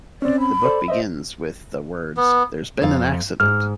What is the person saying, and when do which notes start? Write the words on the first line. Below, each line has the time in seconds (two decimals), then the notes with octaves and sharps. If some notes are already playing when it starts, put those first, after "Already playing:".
The book begins with the words There's been an accident!
0.22 C4 C#4 D5
0.40 B5
0.65 A4 C5 D5
0.88 C5 D#5 E5
2.17 B3
2.82 F2 F5
3.40 G#2 F6